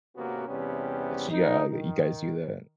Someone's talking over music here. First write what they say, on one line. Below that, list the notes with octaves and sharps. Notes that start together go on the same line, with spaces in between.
that you, uh, you guys do that.
G#1 C3 A#3 B3 C#4 F#4
E2 C3 G3 B3 C#4
D#4
D#3